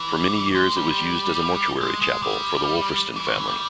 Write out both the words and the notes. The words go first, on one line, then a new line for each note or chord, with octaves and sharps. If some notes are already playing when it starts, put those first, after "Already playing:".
For many years it was used as a mortuary chapel for the Wolferstan family.
Already playing: E3
G#3
G3
G#3
G#3
G3
E3
D#3
E3
G3